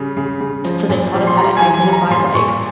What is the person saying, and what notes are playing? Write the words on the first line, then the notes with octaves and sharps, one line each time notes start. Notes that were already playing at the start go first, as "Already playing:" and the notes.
So they taught us how to identify, like,
Already playing: C#3 G3
C#3
C#3
F3
A#2
F3
C6
G3 A#5
G#5
E3
G#5
G3
A#5
A#2 C6
A#2 C#6